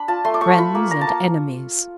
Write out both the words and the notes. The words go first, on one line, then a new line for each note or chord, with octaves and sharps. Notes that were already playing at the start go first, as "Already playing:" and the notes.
"Friends and enemies!"
Already playing: D4 B5
F4 A5
A3 C6
D6
A3 C#6
F4 B5
A#3
A#3 A#5
A5
A#3